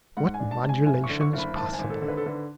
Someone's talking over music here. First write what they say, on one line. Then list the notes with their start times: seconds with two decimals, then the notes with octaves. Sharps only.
What modulations possible!
0.17 G#2 F#5
0.34 G#5
0.39 D4
0.51 A5
0.63 G#2
0.69 G#5
0.86 F#1 G#5
1.04 C#6
1.09 D3
1.21 C#6
1.33 F#1
1.38 B5
1.56 G#1 A5
1.73 G#5
1.79 G#1
1.90 A4
2.02 D3
2.08 B4
2.17 A4
2.26 D3 B4